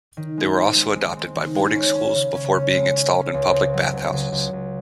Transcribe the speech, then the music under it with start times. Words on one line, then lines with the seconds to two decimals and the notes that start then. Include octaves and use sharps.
They were also adopted by boarding schools, before being installed in public bathhouses.
0.17 D#3
0.38 G#3
0.57 C4
0.76 G#3
0.96 G#3
1.17 C4
1.35 D#3
1.55 G#3
1.75 C#4
1.95 C#4
2.15 C#3
2.35 C#4
2.54 C#4
2.74 G#3
2.94 C#4
3.15 C#4
3.34 C#2
3.53 C4
3.74 F#3
3.93 C#2
4.13 C#2
4.32 C#2
4.53 C#2